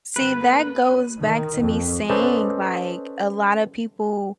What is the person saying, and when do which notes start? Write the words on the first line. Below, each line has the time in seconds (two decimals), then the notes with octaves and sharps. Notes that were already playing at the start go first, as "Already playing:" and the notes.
See, that goes back to me saying, like, a lotta people
0.16 G2 D3 B4
0.40 A#3 B3 A4
0.86 B2 C#4 D#7
1.20 D#3
1.60 F2
2.10 C#4 A4 B4 C5 D5 D#5